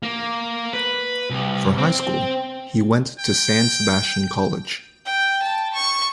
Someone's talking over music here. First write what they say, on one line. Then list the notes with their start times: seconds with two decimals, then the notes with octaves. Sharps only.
For high school, he went to San Sebastian College.
0.03 A#3
0.73 B4
1.30 C2
1.78 C4
3.19 G5
5.06 G5
5.43 A5
5.74 C#6